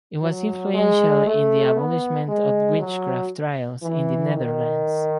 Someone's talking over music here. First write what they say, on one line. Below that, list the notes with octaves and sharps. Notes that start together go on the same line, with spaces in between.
It was influential in the abolishment of witchcraft trials in the Netherlands.
F#3
G#3
A3
B3
G#3
F#3
E3
D#3